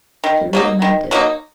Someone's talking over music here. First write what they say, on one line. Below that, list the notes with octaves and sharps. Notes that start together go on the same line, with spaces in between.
She really meant it.
D#3
F#3 A#3 D#4
D#3
F#3 A#3 D#4